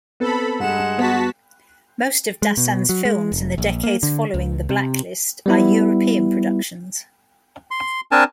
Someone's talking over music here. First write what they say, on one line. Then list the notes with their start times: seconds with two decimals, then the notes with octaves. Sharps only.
Most of Dassin's films in the decades following the blacklist are European productions.
0.20 B3 C4 A4 B4 B5
0.60 G2 G#3 F#5 E7
0.99 B3 F#4 A5 B6
2.42 G#3
2.57 B2
2.89 F#3
3.05 G#3
3.32 F1
3.58 A#1
3.84 A#3
4.03 D3
4.34 C#2
4.69 C3
5.46 G3 B3 E4
7.71 C6
8.12 C4 D4 A#4 G#5 A5